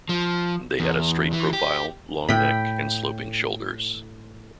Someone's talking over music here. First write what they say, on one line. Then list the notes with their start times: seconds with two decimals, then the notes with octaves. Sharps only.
They had a straight profile, long neck, and sloping shoulders.
0.09 F3
0.80 E2
1.33 E3
1.53 G4
2.29 A2 G5 B5